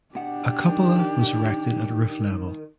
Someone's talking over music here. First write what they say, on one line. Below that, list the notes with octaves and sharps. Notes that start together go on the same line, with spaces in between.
A cupola was erected at roof level.
B2 D4 G4 F#5
D#3